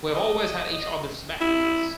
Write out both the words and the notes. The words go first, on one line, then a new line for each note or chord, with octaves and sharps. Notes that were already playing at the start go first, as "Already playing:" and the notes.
We've always had each other's backs.
D#5
E4